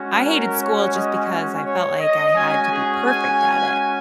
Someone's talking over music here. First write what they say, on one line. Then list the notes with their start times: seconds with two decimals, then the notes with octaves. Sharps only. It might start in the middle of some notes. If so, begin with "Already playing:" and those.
I hated school just because I felt like I had to be perfect at it.
Already playing: G#3 C#4 F#4
0.23 A#4
0.59 C#5
0.93 D#5
1.64 C#5
2.00 D#5
2.34 G#3 C#4 F#4 G#5
2.70 G#4
3.05 G#5